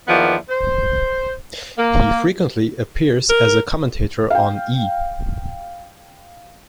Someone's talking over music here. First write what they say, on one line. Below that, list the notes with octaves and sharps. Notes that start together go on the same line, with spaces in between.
He frequently appears as a commentator on E!
E2 D#3 F3 A#3 B3
C5
A#3
A#4
F5 G5